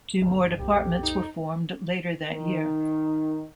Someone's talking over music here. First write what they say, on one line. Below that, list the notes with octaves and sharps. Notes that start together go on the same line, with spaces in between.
Two more departments were formed later that year.
G1 D2 G3
B1 F2 A#2 G4
D#4
D#3